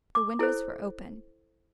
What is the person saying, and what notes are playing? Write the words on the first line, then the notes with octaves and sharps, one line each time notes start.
The windows were open.
D6
E4 A4 C5